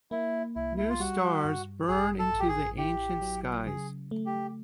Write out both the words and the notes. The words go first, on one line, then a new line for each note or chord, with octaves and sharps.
New stars burn into the ancient skies.
A#3 E4
C2 E4
E4
F4
G3 F#4
G2
A1 G#4
A4
A1
G4
G#4
E4 G4
F#3
C#3 G#4
A3
G4